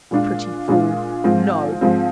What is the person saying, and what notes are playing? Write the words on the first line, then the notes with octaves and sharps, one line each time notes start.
Pretty fool--no!
A#2 G#3 D4 F4
A#2 G#3 D4 F4
G#2 F3 G#3 C4 F4
G#2 F3 G#3 C4 F4